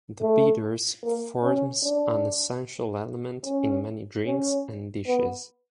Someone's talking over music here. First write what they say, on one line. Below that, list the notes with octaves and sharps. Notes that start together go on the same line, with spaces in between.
The bitters forms an essential element in many drinks and dishes.
A3
A#3
C#4
D4
C#4
C#4
B3